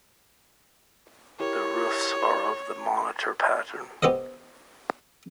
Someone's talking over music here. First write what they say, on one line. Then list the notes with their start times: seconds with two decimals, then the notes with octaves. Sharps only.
The roofs are of the monitor pattern.
1.40 E4 G4 A#4 C#5
4.03 B3 G4 A4 C5 D#5